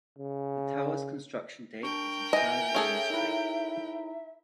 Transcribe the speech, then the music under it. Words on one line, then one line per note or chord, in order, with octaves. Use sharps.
The tower's construction date is enshrouded in mystery.
C#3
D4 A#4 G5 C#6
E3 D#5 E5 G#5
C#4 G#4 A4
D#4 E4